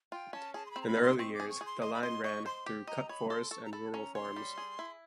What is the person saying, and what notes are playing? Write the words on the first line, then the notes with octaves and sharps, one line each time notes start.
In the early years, the line ran through cut forest and rural farms.
F4 G5
C#4 A5
G#4 A5
C6
C4 B5
A#5
B5
D#4
C6
C4 C#6
D6
G#4
C#6
G#4
C6
D#5 C6
B5
D#5 C6
D#5 C#6
C5 C6
G4
D#5 A#5
C#5 B5
A4 C6
A4 C#6
A#5
A4 B5
C#4 A#5
C#5 C6
G3
G#4
E4